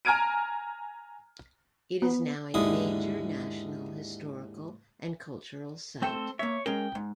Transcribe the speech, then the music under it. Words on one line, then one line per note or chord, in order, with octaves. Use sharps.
It is now a Major National Historical and Cultural Site.
G#5 A#5 F6 G#6 D7 D#7
B3
D#2 G#2 D3 E4 D#6
A3 C4 A4 C5 G5
A#3 C#5 E5
G#3 C#4 A#4 G5
G#2